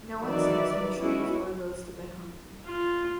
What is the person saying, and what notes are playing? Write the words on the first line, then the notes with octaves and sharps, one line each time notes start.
No one sleeps in the streets, or goes to bed hungry.
D#3 E3 F#3 B4 D5 E5
G#3 B3 C#4 E4 F#4 G#4
F4